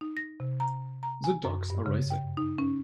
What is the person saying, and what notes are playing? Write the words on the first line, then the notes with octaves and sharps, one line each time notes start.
The dogs are racing.
D#4
A#6
C3
A#5
A#5
G#5
F#2
G2
C#3
G5
D#4
C#4